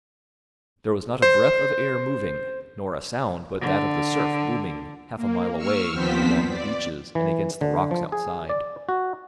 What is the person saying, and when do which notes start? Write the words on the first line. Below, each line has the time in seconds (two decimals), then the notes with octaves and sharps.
There was not a breath of air moving, nor a sound but that of the surf booming half a mile away along the beaches and against the rocks outside.
1.22 C5
3.61 D3
5.17 A#3
5.56 C#6 E6 F6
5.93 D#2 F3 B3 C4 C5 B6
6.48 D5
7.15 E3
7.61 D3
7.91 F3
8.12 G#4
8.49 D5
8.89 F#4